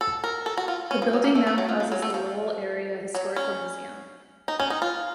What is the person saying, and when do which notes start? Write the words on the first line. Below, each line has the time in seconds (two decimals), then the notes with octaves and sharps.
The building now houses the Lowell Area Historical Museum.
0.01 A4
0.24 A#4
0.46 A4
0.57 F#4
0.68 F4
0.91 C#4
1.02 F3
1.13 F#3
1.24 A#3
1.35 A3
1.47 A3
1.58 F#3
1.69 F3
1.80 F3
1.92 F#3
2.02 A3
2.14 F3
3.15 F#3
3.36 C#4
4.48 D#4
4.60 C#4
4.70 D#4
4.82 F4